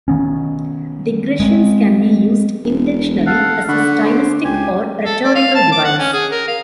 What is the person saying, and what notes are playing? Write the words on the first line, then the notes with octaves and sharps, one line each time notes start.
Digressions can be used intentionally as a stylistic or rhetorical device.
D#3 B3 C#4
G#3 A#3 C4
E1
A4 F5 F#5
D3 F#5 B5 C#6
C5 D6
C#2 G4 G#5
A4
D5
F5
A5
D6
F#5
C#4
G#4
A#4
F5